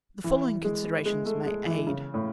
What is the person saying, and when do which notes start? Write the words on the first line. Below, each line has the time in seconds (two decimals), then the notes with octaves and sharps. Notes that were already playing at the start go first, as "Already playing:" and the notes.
The following considerations may aid.
0.24 E3
0.64 G#3
1.06 G#3
1.26 A3
1.46 G#3
1.66 E3
1.87 C#3
2.14 A2